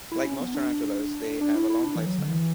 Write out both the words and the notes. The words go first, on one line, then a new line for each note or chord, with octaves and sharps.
Like most tarantulas, they have a long lifespan.
E4
C#4
B3
D4
D4
E4
E4
D4
E3
F#3
D3
E3